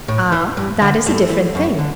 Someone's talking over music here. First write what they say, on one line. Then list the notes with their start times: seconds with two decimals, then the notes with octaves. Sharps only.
"Ah, that is a different thing."
0.08 A2
0.32 E3
0.57 G2
0.82 D3
1.06 G2 A3
1.30 E3
1.55 F#2
1.79 D3